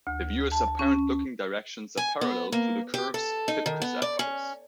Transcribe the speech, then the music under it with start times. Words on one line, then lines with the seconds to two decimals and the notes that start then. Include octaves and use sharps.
The viewer's apparent looking directions are parallel to the curve's "hypcos" axis.
0.07 D2
0.52 A5
0.79 C#4
1.97 G#5
2.21 B3
2.52 A#3
2.94 G4
3.14 A4
3.48 D#4
3.66 D#3
3.82 B3
4.02 D5
4.19 C#4